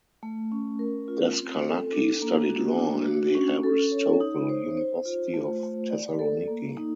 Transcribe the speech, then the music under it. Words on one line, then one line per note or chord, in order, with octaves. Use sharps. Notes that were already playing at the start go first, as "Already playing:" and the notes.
Daskalaki studied law in the Aristotle University of Thessaloniki.
A3
C#4
A#4
F4
C4
A4
D4
A#3
F#4
D4
F#4
C#4
A4
C#5
D#4
C5
C5
F4
A3
A3
D5
A4
A#3
D#4